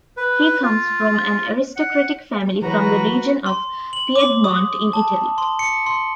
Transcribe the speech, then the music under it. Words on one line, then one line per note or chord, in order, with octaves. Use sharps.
He comes from an aristocratic family from the region of Piedmont in Italy.
B4
F4
F#5
E3 F#3 F#4 B4 A#5
C6
F#7
D6
D#6
A5
C6
C#7
C6